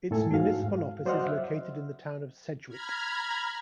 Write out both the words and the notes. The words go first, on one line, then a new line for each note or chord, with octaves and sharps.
Its municipal office is located in the Town of Sedgewick.
A2 A4 G#5
E2 G#2 F#4 F5
F5
F#3 C5 D5 D#5 F#5 F6
E5
A#5 B5 F6 G#6